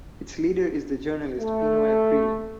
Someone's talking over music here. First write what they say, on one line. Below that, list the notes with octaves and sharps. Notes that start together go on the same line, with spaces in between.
Its leader is the journalist Pino Aprile.
A3